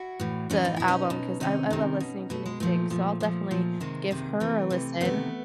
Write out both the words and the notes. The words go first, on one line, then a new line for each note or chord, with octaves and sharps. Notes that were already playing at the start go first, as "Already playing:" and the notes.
the album 'cause I I love listening to new things, so I'll definitely give her a listen.
Already playing: E4 F#4
A2 E3
A2 E3 C#4 D#4
D#4
B2 E4
C#4 D#4
B2
C3 D#3 C#4 D#4
C3 D#3
B2
B2 A3
G#3
A#2 F3 A3
A#2 F3
A#2 F3
A#2 F3
C3 D#3 G#3 A#3
C3 D#3
C3 E3 A3
C3 E3
C3 D#3 A3 B3